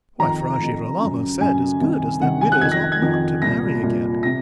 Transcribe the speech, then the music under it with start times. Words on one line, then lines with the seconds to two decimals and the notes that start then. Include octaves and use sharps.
Why, Fra Girolamo said as good as that widows ought not to marry again.
0.19 F2 D#3 A#5
0.60 F2 D#3
1.00 F#2 C#3
1.41 F#2 C#3 G#5
1.81 C2 C3 D#3
2.21 C2 C3 D#3 F#5
2.41 G#5
2.52 F#6
2.61 F2 D#3 G#6
2.72 A#6
2.92 G#6
3.02 F2 D#3
3.42 C2 A#2 A#6
3.83 C2 A#2
4.23 C3 A#6